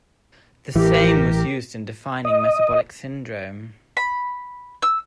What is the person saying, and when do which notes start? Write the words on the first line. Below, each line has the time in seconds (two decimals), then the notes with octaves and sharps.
The same was used in defining metabolic syndrome.
0.76 A1 E3 G4 A#4
2.25 D#5
3.97 B5
4.82 E6